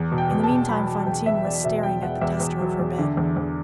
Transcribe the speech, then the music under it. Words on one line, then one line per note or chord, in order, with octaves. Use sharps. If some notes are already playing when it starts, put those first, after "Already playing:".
In the meantime, Fantine was staring at the tester of her bed.
Already playing: E2
B2
G5
B2
A5
B2
F#3 B5
F#3
E2 G5
E2 E5
E2 D5
B2 E5
E2 G5
E2 F#5
E2 E5
E2
F#3
E2
D3
E2
E2